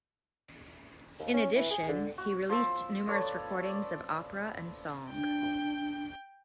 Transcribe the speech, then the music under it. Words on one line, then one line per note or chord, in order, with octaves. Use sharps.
In addition, he released numerous recordings of opera and song.
D#2
C#4
E3
G#4
D3
F#4
F3 E6
A4 B4 C#5 D5
D5
D4 G5